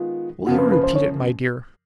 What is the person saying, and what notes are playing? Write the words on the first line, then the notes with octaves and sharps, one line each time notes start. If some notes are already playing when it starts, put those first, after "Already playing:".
Will you repeat it, my dear?'
Already playing: D#3 G#3 B3 F4
F#2 C#3 F3 A#3 F#4
B4
B4
C5
C#5